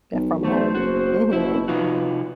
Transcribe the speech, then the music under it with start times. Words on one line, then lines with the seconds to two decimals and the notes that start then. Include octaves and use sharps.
Yeah, from home. Mhm.
0.13 B1
0.45 A3 C5
0.75 F#1 F#4
1.33 F#1 B2 E4
1.68 C3 F3 B3 D#4 F#4